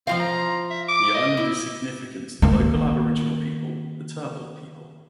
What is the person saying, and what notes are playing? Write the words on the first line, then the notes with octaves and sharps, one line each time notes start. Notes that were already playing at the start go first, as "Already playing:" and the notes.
The island is significant to the local Aboriginal people, the Turrbal people.
F3 C4 F4 F5
A#5
E5
D6
D#5
E4
D#3 A#3